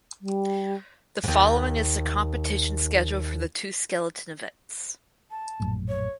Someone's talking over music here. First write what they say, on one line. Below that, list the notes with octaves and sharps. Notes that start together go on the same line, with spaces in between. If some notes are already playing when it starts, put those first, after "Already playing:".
The following is the competition schedule for the two skeleton events.
G3
D#2 G#2
A5
A#1 F#2 A2
C#5